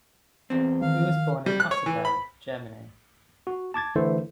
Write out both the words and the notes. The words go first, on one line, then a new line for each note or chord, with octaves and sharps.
He was born in Otterberg, Germany.
E2 C4
D#3 F5
G3
F#6
C#5
E3
B5
F#4
A5 D6 G#6 A6
D3 E3 A3 E4 C5